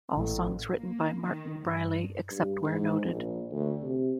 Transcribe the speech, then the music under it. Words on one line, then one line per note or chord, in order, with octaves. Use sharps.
All songs written by Martin Briley, except where noted.
A1
A#3
D#3
G2
G2
G#2
A#1
D2
C3